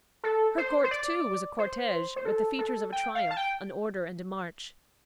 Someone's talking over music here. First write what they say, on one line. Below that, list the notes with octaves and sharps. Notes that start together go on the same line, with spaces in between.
Her court, too, was a cortege, with the features of a triumph, an order and a march.
A4
C5
C5
D5
C5
C5
A4
A4
G5
F5
A5
G5